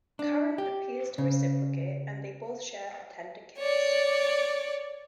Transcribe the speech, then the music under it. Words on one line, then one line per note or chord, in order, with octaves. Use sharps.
Karen appears to reciprocate and they both share a tender kiss.
D4
G4
C#3
C#5 D5